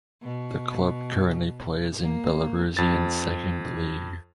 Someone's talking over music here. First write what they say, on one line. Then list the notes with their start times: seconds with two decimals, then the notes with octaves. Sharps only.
The club currently plays in Belarusian Second League.
0.23 B2
2.03 A#3
2.77 F2 A6